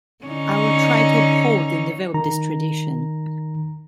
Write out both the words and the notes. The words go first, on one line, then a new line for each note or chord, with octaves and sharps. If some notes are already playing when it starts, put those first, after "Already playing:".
I will try to uphold and develop this tradition.
D3 C#4 D#4
D#3 A#5